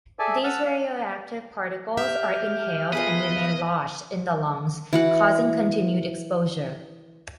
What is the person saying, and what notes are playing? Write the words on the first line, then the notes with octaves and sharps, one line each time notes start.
These radioactive particles are inhaled and remain lodged in the lungs, causing continued exposure.
G#4 A4 D5 E5 G#5 A5
F#5 A5 E6 F6
F5
G4 E5 F6
B3 F4 G#4 A4 B4 D#5
E3 F#4 F#5